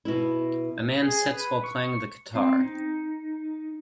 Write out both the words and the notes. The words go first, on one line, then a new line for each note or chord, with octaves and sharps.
A man sits while playing the guitar.
B2 E4
G#4
B4
C#6
C4
D#4